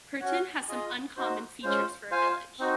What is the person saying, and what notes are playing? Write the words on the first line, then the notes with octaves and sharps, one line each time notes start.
Pirton has some uncommon features for a village.
C#4 F#4 C#5 F#5
F4 G#4 D#5
D#4 F#4 C5
G#3 C#4 F4 C5
F4 C5 F5 G#5
C4 D#4 F#4